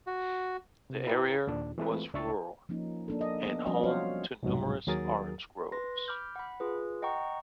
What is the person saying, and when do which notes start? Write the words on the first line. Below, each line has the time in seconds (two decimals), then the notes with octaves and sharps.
The area was rural and home to numerous orange groves.
0.07 F#4
0.90 C3
1.07 E4 G4 B4 G5 A#5
1.47 D#2 A#2 D4
1.78 E3 G#3 A3 C4 F4 B4
2.14 C#2 D4 E5 C#6 A6
2.69 F3 A#3 C#4 D#4
3.08 A#3 D4 A4
3.21 D#5
3.46 B3
3.66 F3 G3 C#4 F#4 D5 D#5
3.83 F#3 F4 F#4 C5 C#5 F5
4.43 C2 F2 G#2 B2 F#3
4.87 D#2 F#3 G#4 A#4 D#6 A6
5.72 B4 C6 A#6
6.08 B5 D6 F6 G6
6.36 F#5 B5
6.60 F4 G#4 B4
7.02 D#5 F#5 G5 A#5 C#6